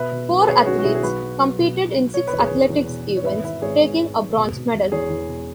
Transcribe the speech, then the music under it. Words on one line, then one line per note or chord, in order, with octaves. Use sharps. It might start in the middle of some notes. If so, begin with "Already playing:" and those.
Four athletes competed in six athletics events, taking a bronze medal.
Already playing: B2 B4 E5
B2
B1
B4
B2 G#4 C#5
B1 C#4 F#4
F#4
B2 E4 G#4
G#4
B1 F#4 B4
F#3
F#3
B2
B2
B1
B2 C#5
B4
E2
G#4 C#5
E2
E2
B2
E2
C#5
G#1 B4 E5
E3 B4 E5
G#1 G#4 C#5
G#2
G#2
G#1
B2
B2
E1
E2 G#4 C#5
E2
B2